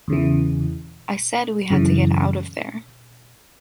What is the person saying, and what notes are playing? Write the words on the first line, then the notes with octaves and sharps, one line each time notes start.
I said we had to get out of there.
E2 C#3 E3
F#2 C#3 E3